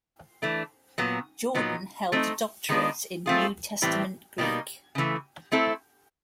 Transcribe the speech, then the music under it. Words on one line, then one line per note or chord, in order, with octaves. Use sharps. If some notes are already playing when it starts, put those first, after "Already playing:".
Jordan held a doctorate in New Testament Greek.
E3 A3 D4
A#2 F#3 B3
A#2 F#3 B3 D#4
A3 C4 D#4
D#3 G#3 B3 D4 F4
A3 C4 F4 G#4
A2 E3 G3 C4
B2 G3 A#3 D#4
C#3 E3 A3
A3 C4 E4 A4